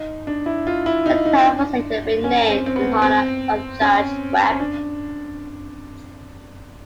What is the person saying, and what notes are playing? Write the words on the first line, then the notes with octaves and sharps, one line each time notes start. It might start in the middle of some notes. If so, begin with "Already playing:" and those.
The town was later renamed in honor of Judge Webb.
Already playing: D#4
D4
E4
F4
E4
D#4
D#4
D4
C#4
C4
C4
B3
C4
C#4
C#4
D4